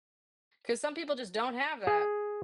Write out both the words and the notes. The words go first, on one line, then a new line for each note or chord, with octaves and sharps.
'cause some people, just, don't have that.
G#4